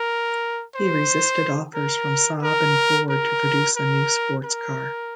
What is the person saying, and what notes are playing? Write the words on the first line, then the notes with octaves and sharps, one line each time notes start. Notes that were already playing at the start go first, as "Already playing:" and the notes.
He resisted offers from Saab and Ford to produce a new sports car.
Already playing: A#4
C5
A#4
A#4
A#4
A#4
A#4